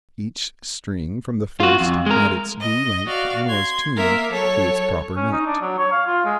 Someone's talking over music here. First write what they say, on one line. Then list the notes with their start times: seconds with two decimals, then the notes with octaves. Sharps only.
Each string from the first had its due length and was tuned to its proper note.
1.60 F4 F#4
1.80 F2
2.06 G#3 A#4
2.59 D#5
3.06 F#4 D5 F5
3.49 C6 G#6
3.95 A#3 A#4 E5
4.31 F#3 A4 C#5
5.16 C#4
5.32 D#4
5.46 D4
5.61 F#3
5.78 C#5
5.92 F5
6.07 F4
6.25 G#3